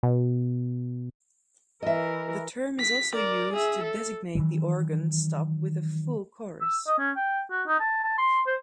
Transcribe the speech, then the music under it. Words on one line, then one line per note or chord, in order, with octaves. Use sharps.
The term is also used to designate the organ stop with a full chorus.
B2
E3 A#4 D#5 E5
B6
A#4 D5
G#4 E5
A4
D#3 E3 F#3
E6
D#5
C#4
G5
F#4
D#4
A5
A5
C6
C5